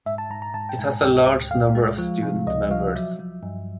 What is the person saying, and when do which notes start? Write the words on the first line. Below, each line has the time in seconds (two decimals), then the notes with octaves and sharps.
It has a large number of student members.
0.06 G#2 E5
0.18 A5
0.30 G#2 A#5
0.42 A#5
0.54 G#2 A5
0.69 G5
0.79 G#2 G#5
1.03 C#2 G5
1.27 C#2
1.51 C#2 F5
1.75 G#3
1.98 F3
2.22 C3
2.47 C#2 D#5
2.71 F3 F5
2.95 F#3 E5
3.19 F#3
3.43 G2